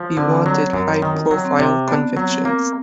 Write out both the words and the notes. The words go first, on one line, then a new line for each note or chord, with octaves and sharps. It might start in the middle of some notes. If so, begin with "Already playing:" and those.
He wanted high-profile convictions.
Already playing: F3
D3 C4
F#3
F#2
D#3
F#3
C4
C3
B3 D4
F#3
C4
A#3